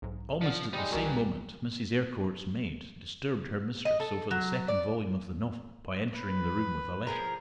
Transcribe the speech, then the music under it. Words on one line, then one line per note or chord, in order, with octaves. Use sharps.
Almost at the same moment Mrs. Eyrecourt's maid disturbed her mistress over the second volume of the novel by entering the room with a letter.
B1 G#2
F3 D4 D5 F#5
B1 G3 G#3 D#4 D5
B1 G2 F#4 A#4 D6
B4
D#5
A4
F#3
D5
B4
F3 G#4 A#4